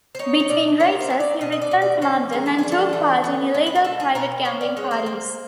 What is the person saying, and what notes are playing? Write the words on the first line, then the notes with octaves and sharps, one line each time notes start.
Between races, he returned to London, and took part in illegal private gambling parties.
C5
D#4 C#5
C#5
B2 D5
A#3 C#5
C5
F#3
D5
B2 D#5
D#5
D5
B2
D5
C#4 C5
G#3 A#4
A4
D4 G#4
A4
E3
B3
G#3
B4
A#4
B2 A4
G#4
B2 A#4
C#4 C5
D5
G#3 C#5
C5
A#3